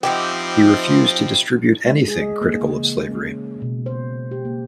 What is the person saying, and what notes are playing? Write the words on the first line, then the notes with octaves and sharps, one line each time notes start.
He refused to distribute anything critical of slavery.
F3 C4 D#4 E4 G4 G5
G#3
G#4
D#5
A#3
C#3
E3
G#3
C#4
B2
C5
G4
A#3